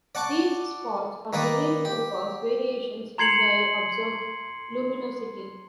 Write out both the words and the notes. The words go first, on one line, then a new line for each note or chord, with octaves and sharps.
These spots are believed to cause variations in their observed luminosity.
D5 F#5 A5 C#6 D6
D#3 A#3 B4 D5
G4
A#5 C6 G#6 C7 C#7 F#7